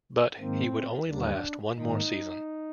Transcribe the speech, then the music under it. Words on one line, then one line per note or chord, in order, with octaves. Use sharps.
But, he would only last one more season.
G#2 D#3 A#3 C4
D#2 D3 G3 A#3 D4
G#2 D#3 A#3 D#4